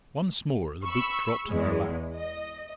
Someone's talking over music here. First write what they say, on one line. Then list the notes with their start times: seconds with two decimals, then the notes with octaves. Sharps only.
Once more the book dropped on her lap.
0.85 B5 C#6 E6
1.48 E2 G#3
2.16 D#5